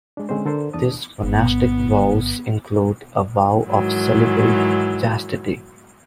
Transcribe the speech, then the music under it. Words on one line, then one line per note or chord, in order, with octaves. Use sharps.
Their monastic vows include a vow of celibate chastity.
G#3 D4
D3 G#3 C4 C#4 C5
D3 A4 A#4 C5
E2 D4 A5 D#6
G1 B3
G#2 D#3 E3 F#3